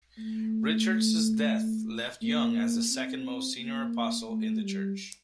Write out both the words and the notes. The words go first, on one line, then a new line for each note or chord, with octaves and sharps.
Richards's death left Young as the second-most senior apostle in the church.
A3
A#3
C4
A#3
A3
G3